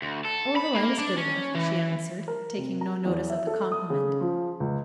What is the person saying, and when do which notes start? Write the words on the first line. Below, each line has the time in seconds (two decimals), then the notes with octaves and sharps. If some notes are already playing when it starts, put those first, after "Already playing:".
"Oh, the light is good enough," she answered, taking no notice of the compliment.
0.02 D2
0.25 A4
0.56 B5
0.75 A#3
0.98 D4
1.18 C#4
1.55 E3
2.28 A#4
2.58 C3
2.81 A#5
3.05 E2
3.30 E5
3.47 A4
3.72 D#6
3.90 C#3
4.20 F3
4.60 C#2